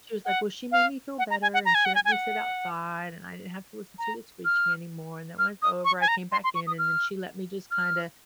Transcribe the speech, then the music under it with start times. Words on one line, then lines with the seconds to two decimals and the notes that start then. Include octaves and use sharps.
she was like, "Well, she made me feel better, and she let me sit outside, and I didn't have to listen to the screeching anymore and then when it's over I came back in and then she let me just kinda,
0.25 F#5
0.72 F5
1.18 F#5
1.30 A#5
1.42 G#5
1.54 F#5
1.65 A#5
1.74 G#5
1.85 F#5
1.95 G#5
2.05 G#5
2.12 F#5
3.98 A#5
4.45 F6
5.39 F6
5.62 D#6
5.85 C#6
6.01 G#5
6.08 A#5
6.32 C6
6.44 C6
6.55 C#6
6.67 D#6
6.78 F6
7.71 F6